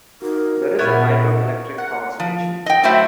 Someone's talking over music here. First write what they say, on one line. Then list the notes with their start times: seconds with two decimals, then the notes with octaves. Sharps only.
There is a hydroelectric power station.
0.22 D#4 F#4 A#4
0.79 A#2 B3 E4 F5 C#6 F6 G#6
1.78 A#4 F#5
2.20 F3
2.66 D#5 G5
2.83 A2 F#3 A3 F#4 C5 E5